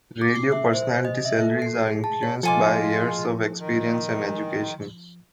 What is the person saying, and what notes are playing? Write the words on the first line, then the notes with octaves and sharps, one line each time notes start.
Radio personality salaries are influenced by years of experience and education.
D6
C7
E5
C5
D#5
E5
A4
C7
G#4
A5
C#5
F3 G#3 F4 A4 G#5 D6
D#3